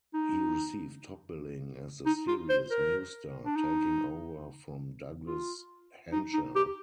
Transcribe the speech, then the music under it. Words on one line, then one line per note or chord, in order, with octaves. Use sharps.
He received top billing as the series' new star, taking over from Douglas Henshall.
D#4
D#4
F4
C5
A#4
D4
D#4
F4
D#4
D#4
G4